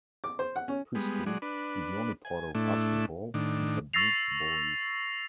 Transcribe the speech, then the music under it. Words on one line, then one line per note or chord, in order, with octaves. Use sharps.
Pre-school is the only part of Ashley Hall which admits boys.
D6
C5
F#5
C#4
G3 G#3 B3
F#3 G#3 D5
D4 B4
G#5
A2 A3 D4 E4
A2 D#3 D4
C#6 E6 A6 A#6 C7 F7